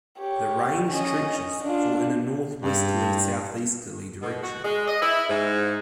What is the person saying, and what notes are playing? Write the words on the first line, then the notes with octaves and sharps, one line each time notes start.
The range stretches for in a northwest-southeasterly direction.
G4 C#5
C#4 D#5
D4 F4
G2
B2
F#4
G#3
D#5
E4
G#2